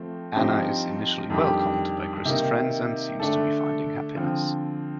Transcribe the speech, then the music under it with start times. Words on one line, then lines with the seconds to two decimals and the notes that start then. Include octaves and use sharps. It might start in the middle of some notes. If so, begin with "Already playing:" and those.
Anna is initially welcomed by Chris's friends and seems to be finding happiness.
Already playing: F3 A3 C4
0.35 G2 F3 C4 D#4 G4
1.30 F2 D#3 G3 D4 G4
2.25 C3 D#3 A#3 D#4
3.20 D3 A3 D4 A4
4.15 D3 F3 C4